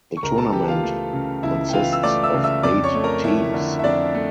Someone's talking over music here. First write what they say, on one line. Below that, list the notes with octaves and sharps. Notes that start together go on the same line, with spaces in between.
The tournament consists of eight teams.
C#6
C#2 A#4 A#5
A4 A5
E3 G4 G5
F4 F5
A3
C#3
C#2 E4 E5
G5
E3 F4 F5
E6
A3 D5 D6
E5 E6
C#3
E5 E6
F2 D5 D6
C#5 C#6
A3
A#4 A#5
F2 E4 E5
D3
E5
F2 D4 D5
A3